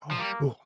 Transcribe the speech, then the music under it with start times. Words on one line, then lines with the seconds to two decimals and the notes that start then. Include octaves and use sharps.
Oh, cool.
0.11 F3
0.19 G3 A#3